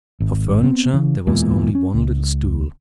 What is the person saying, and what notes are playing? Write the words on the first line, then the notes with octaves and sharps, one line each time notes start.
For furniture there was only one little stool.
G#1
B3 C4
C#3 E3
D1 E2 A#2 G#3
C#4
C#2